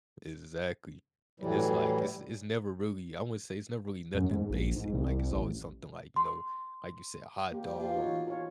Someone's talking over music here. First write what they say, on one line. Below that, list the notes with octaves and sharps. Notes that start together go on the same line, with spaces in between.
Exactly, and it's, like, it's it's never really I wouldn't say it's never really nothing basic. Like, it's always something like, you know, like you say, a hot dog,
A2 E3 F#3 G3
F#2
G#2
A#1
G#2
C2
A1
C6
A#3 G4
G3
A#3 F4 G4
D#4 F#4 C#5
E3
F4 C#5